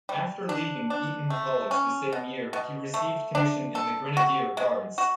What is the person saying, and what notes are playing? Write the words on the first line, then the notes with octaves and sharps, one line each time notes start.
After leaving Eton College the same year, he received commission in the Grenadier Guards.
G3
D4
D4
A3
C#4
B2
B2
A3
D4
A4
F#4
G#3
F#4